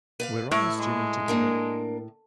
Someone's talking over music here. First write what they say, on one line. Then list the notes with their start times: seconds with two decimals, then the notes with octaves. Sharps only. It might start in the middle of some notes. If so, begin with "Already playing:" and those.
We're on this journey together.
0.20 B4 D5 F5
0.51 A2 E4 E5
0.79 G#3
1.28 A#3 D4 A#4